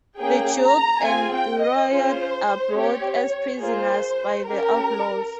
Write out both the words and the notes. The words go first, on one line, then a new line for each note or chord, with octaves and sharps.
The Duke and Thurio are brought as prisoners by the outlaws.
A#3 C#4 G#4 G5
A#5
C4 F4 G#4 G#5
G5
D#5
C#4 F4 G#4 C5
C4 G4 C#5
A#3 F4 G#4 C5
C#4 G4 A#4